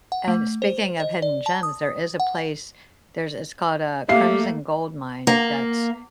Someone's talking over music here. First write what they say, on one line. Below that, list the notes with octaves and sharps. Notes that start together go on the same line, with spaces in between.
a a and speaking of hidden gems, there is a place, there's it's called, uh, Crimson Gold Mine that's
F#5
A3
C5
D#5
D5
A5
D#6
F#5
A3 A#3 G4 E5 F5 C7
A#3